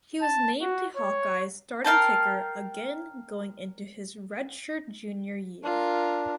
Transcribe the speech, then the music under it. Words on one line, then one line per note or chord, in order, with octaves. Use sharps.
He was named the Hawkeyes starting kicker again going into his redshirt junior year.
A5
F#4
C#5
A#4 F5 G5 A5
D4 F4 A#4